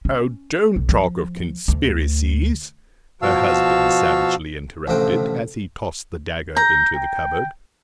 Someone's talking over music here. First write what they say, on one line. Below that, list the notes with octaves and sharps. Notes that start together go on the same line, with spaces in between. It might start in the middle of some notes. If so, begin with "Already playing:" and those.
"Oh, don't talk of Conspiracies!" her husband savagely interrupted, as he tossed the dagger into the cupboard.
C#4
B1
F3
D2
B2 F3 F#4 F5 A5 E6
A1 D2 C3 F3 F#4 G5
A#5 G6
G5